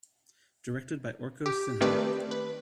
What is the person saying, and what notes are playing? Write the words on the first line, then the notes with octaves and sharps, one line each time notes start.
Directed by Orko Sinha.
G4
D#3 A3 C4 G4 B4 D5
B4